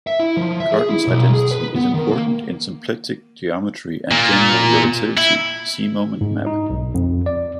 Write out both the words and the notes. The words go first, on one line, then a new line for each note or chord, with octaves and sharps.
Cartan's identity is important in symplectic geometry and general relativity: see moment map.
E5
E4
F3
E5
G#4
E4
B1
G#4
B4
B3
D#3
A#3
A#2
E4
G#2
D#4
B1
F2
D5